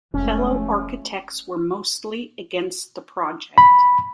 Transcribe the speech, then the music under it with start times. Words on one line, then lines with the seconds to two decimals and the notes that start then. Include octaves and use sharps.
Fellow architects were mostly against the project.
0.14 F1 F3 G#3 A3 C#4
3.58 B5